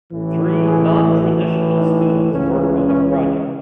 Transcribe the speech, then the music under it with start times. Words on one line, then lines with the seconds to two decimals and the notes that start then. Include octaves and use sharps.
Three nontraditional students work on a project.
0.12 A1 A2 E3
0.67 G#4
1.22 A1 A2 E3 F#4
1.77 D#4
2.32 C#2 C#3 E3 C#4
2.86 C#4